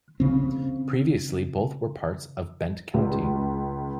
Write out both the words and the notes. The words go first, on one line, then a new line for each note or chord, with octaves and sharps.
Previously both were parts of Bent County.
C#3 C4
C#2